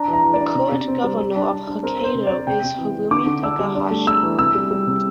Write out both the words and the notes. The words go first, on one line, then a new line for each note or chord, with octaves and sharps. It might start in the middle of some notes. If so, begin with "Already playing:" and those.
The current governor of Hokkaido is Harumi Takahashi.
Already playing: D4 A#5
E3
A#5
E3
D5
D4
C3
C3
C4
G3
G3
D4
D4
D4
C4 A#4
C4 C5
C3
C4 D5
C3 G5
C3
E3
E3
D3 D6
D3
D4 E6
G3
D4
A3
A3 E6
E3
C3 E6
G3
G3
C3